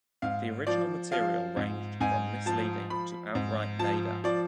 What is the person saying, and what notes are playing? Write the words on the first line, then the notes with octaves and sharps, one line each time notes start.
The original material ranged from misleading to outright made up.
G#2 F5
F3 D5
F3 F5
G#2
G#2 G#5
F3 A5
F3 B5
G#2
F3 A5
F3 D5